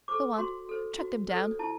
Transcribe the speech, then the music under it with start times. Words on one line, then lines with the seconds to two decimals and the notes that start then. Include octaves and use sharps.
Go on! Chuck them down!
0.08 A4 C5 D6
0.38 F#4 C6
0.69 A4 C5
0.99 F#4
1.29 A4 C5
1.59 E4 A5